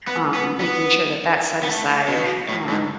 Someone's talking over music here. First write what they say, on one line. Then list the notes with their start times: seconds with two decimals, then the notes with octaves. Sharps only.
um, making sure that that's set aside. Um,
0.07 B3
0.34 B3
0.60 B3
1.63 B3
1.68 A3
2.08 B2
2.49 A2
2.69 G#2